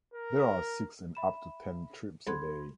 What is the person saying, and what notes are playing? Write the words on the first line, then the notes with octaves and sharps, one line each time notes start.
There are six and up to ten trips a day.
A#4
E5 B5 E7
C2 A4 F#5 B5 C6 G#6